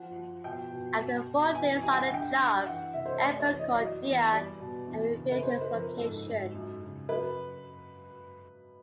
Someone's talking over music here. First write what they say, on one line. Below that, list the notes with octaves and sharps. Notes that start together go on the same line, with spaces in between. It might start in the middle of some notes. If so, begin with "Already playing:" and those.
After four days on the job, Egbert called Dear and revealed his location.
Already playing: F3 F#5
F3
B2 G5
B2
B2
B2
E3 G#5
G3 G#5
G5
F#5
D3 G5
D3
E3 F#5
C3 E5
C5
C#5
A3 D5
D5
C#5
E3
D#5
D5
F#3
D#5
E2
G3 D5
B2
E2
C#3
B4
C#3 C5
B4
F2
A#4
G#2 A4
G#2
F#2
C#3
F#3 B4